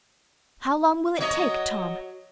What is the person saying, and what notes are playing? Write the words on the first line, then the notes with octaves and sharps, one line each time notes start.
"How long will it take, Tom?"
F#3 C#5 D#5